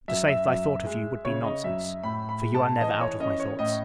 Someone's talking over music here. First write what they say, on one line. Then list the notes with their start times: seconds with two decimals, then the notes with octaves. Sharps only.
To say that I thought of you, would be nonsense; for, you are never out of my thoughts.
0.08 F#2 E5
0.28 E5
0.47 F#2
0.86 G#3
1.25 C#3 C#5
1.44 D#5
1.64 F#2 E5
2.03 A2 B5
2.29 B5
2.42 G#3
2.54 A5
2.81 E3 D#5
3.01 C#5
3.20 C#4 D#5
3.40 C#5
3.59 A2 D#5